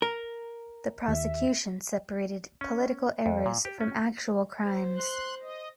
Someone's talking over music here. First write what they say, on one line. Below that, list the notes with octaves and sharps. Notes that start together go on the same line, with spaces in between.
The prosecution separated political errors from actual crimes.
A#4
D#2 E5
C#4
F2
A#2
G4
C#4
C5
C6 F#6
D#5